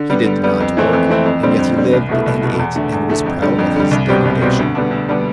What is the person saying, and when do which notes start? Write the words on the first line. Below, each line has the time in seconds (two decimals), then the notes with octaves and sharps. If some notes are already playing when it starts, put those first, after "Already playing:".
He did not work, and yet he lived and ate and was proud of his degradation.
Already playing: D3
0.10 G3 B3
0.26 D3
0.43 G3 B3
0.60 F2
0.77 E3 A3 C4 E4
0.93 F2
1.09 E3 A3 C4 E4
1.26 F2
1.43 D3 G3 C4
1.59 F2
1.76 D3 G3 C4
1.93 C2
2.09 B2 A3 E4
2.26 C2
2.42 B2 A3 E4
2.59 E2
2.76 D3 A3
2.92 E2
3.09 D3 A3
3.26 F2
3.42 D3 G3
3.59 F2
3.76 D3 G3
3.91 C2
4.09 B2 G3 C4 G4
4.25 C2
4.42 B2 G3 C4 G4
4.59 D2
4.75 D3 G3 B3 D4
4.91 D2
5.09 D3 G3 B3 D4